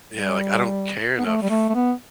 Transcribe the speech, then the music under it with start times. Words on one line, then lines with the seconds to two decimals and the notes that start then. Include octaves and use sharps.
Yeah, like, I don't care enough,
0.13 G3
1.19 B3
1.25 A3
1.42 G3
1.50 A3
1.69 A3
1.75 B3